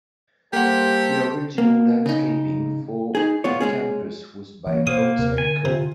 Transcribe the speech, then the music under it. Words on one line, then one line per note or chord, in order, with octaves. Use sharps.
The original landscaping for the campus was by Vaux and Co..
G3 A#3 G4 A4 C5 F#5
A#3
C#3 D#4
D#4 G#4
B3 F4 C#5
G#3 C#4 G#4
E3 F3 A#3 C#5
B2 A#3 C5 D#6
D#2 C3 A#4
D3 G#5
C3 F4